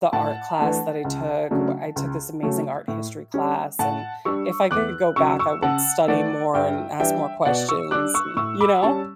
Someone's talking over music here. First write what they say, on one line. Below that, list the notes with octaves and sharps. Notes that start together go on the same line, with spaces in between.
the art class that I took, wh I took this amazing art history class, and if I could go back, I would study more and ask more questions. You know?
A2 F#5 A5
E3 A3 D4
C#2
C#3 F#3 A3 D4
C#2
C#3 F#3 A3 C#4
A2
G3 C#4
A2 F#5 A5
G3 D4 C#6 E6
E2 D6 F#6
C#3 F#3 C#6 E6
C#6 E6
C#3 F#5 A5
E3 A3 D5 F#5
G2 E5 G5
E3 G3 D4 E5 G5
B2 D5 F#5
C#6 E6
G3 D4 D6 F#6
C#6 E6
A2 C#6 E6
B5 D6
G3 C#4 A5 C#6